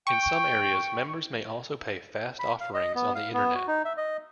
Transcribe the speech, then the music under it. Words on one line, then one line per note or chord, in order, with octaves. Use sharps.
In some areas, members may also pay fast offerings on the Internet.
G5 C#6
B5
F5
D#5
B3
F5
B3
F#4
D#4
E5
D#5